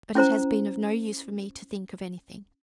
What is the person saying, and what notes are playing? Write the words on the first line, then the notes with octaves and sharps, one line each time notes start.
But it has been of no use for me to think of anything.
C#4 E4 C5 A#5